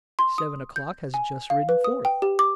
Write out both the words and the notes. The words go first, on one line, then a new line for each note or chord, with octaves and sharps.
Seven O'clock has just ridden forth.
C6
D#6
G6
G#5
F5
B4
D#6
G5
G4
D6